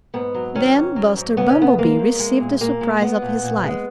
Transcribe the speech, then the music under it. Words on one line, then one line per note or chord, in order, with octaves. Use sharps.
Then Buster Bumblebee received the surprise of his life.
G#2 B3
F#3
D#3 C#4
G#2
F#3
G#2
C#3 B3
C#4
E2 B3
G#3 A#3
E2
G#3
A#2
A#2 A#3
G#3
G#3 B3
A#2
A#2
G#3